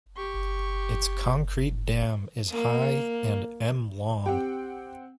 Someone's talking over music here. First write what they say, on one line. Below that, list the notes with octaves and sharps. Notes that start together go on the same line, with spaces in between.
Its concrete dam is high and m long.
G4 C#6
A#3
C4 G4 F#5 G5